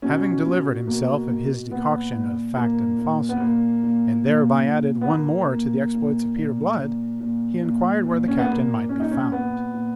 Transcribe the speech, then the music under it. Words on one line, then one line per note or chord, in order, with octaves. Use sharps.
Having delivered himself of his decoction of fact and falsehood, and thereby added one more to the exploits of Peter Blood, he enquired where the Captain might be found.
B2 C#4
B2
B2 A#3
B2
A#2 B3
A#2
A#2 A#3
A#2
B3
A#2 A#3
A#2
A#2
A#2
B3
A#2 A#3
A#2
A#2
A#2
A#2
A#2
A#2
A#2
C#4
B3
A#2 A#3
A#2 C#4
D#4
C#4
A#2 B3
A#2